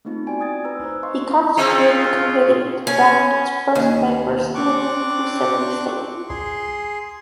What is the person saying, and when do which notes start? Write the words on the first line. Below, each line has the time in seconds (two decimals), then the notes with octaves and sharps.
He constituted the committee to draft its first Diversity and Inclusivity Statement.
0.05 A3 B3 C4 D#4 F4
0.27 E4 F#4 D5 G5 G#5
0.40 C4 D#6 G#6 A6
0.64 B4 A#5 E6
0.82 D#4 C5
1.03 D#5 F5 C6 C#6
1.57 C#3 C4 F4 D#5
2.87 C#4
3.75 D#2
4.55 C4 D4 C#6 D6 F#6
6.29 G#4 C6